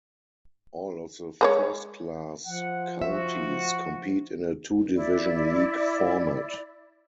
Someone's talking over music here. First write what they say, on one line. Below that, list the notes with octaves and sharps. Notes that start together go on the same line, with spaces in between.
All of the first-class counties compete in a two-division league format.
G#3 C5 C#5
F3 F#5
F#4 E5
E4 D5